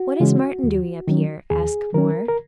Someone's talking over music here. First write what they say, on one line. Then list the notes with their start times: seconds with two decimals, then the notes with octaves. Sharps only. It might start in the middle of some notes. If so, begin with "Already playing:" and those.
"What is Martin doing up here?" asked Moore.
Already playing: F#4
0.20 C#3 E3 G#3 C#4
0.64 D#2
1.08 D#3 F#3 C#4
1.50 D#2 G#4
1.94 D#3 F#3 C#4 A#4
2.28 A#4